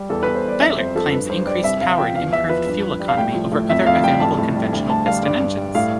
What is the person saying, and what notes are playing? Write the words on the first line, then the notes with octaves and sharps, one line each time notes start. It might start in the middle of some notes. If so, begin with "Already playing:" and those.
Thielert claims increased power and improved fuel economy over other available conventional piston engines.
Already playing: G3
E2 A4
E2 B4
C5
G3 D5
F2 E5
F2 C5
F3 A4
G2 B4
G2 C5
G3 D5
C2 E5
C2 F5
F5
F3 G5
E2 F5
E2 E5
F3 B4
G2
G2
G3
F5
A2 G5
F3
A2
F2 E5
F2 F5
G3 G5
A2 A5
A2
G3
D2
D2 A5
G3 F5
G2 D5
G2
G3
A2 F5